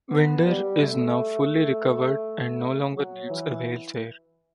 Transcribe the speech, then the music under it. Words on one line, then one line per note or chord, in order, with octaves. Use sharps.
Winder is now fully recovered and no longer needs a wheelchair.
B3
G3
A3
F#3
E3